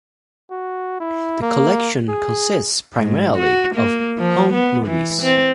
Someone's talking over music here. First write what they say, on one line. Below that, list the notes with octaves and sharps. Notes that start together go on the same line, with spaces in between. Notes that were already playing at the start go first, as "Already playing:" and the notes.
The collection consists primarily of home movies.
F#4
E4
A#3
G#4
G#2
F#4
A#3
F3
B3
E3
C4